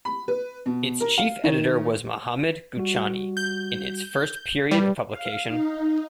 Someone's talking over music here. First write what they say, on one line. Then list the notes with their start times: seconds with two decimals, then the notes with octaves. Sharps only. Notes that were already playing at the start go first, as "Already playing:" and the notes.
Its chief editor was Mohammad Ghouchani in its first period of publication.
0.05 B5
0.28 B4
0.66 B2
1.01 A#4
1.18 F5
1.44 D#3
2.77 G3 F#4
3.37 G6
4.71 G3 B4 D5
5.09 F5
5.45 D#4